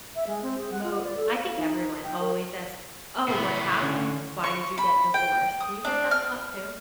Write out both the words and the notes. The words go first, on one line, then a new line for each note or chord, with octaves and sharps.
mo I think everyone always asks, "Oh, what happened? Why did you get divorced?" Do you get that a lot too?
E5
G#3
C4
G#4
F#5
F4
D5
A4
F5
D#4
G5
A#4
A2 B3
D3 C#4
C#6
B5
G5
D#6
D4
F6